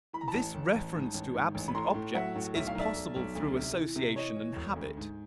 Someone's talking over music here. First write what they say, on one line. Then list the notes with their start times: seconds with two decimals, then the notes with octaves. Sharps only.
This reference to absent objects is possible through association and habit.
0.13 E3 B5
0.21 A#5
0.28 A5 B5
0.34 A1
0.55 A1
0.75 A1
0.94 G#2
1.14 A1
1.34 G#2
1.55 A1
1.68 B5
1.75 A2 A#5 C6
1.94 A2
2.15 F#3 E5 F#5
2.35 A2
2.55 B1 E5
2.67 F5
2.75 B1 D5 E5
2.95 B1
3.16 B1
3.35 D2
3.56 C3
3.76 E3
3.96 C3
4.16 E3 C#5 D#5
4.36 E3
4.56 E1
4.76 D2
4.97 G#2